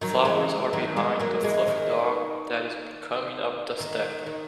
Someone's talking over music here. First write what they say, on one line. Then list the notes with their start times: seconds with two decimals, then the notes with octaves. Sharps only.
Flowers are behind the fluffy dog that is coming up the step.
0.01 D#3 F#3
0.25 E3 G#3
0.73 D#3 F#3
0.96 G#3 B3
1.20 F#3 A#3
1.43 E3 G#3
1.68 D#3
3.80 D#3
4.26 D#3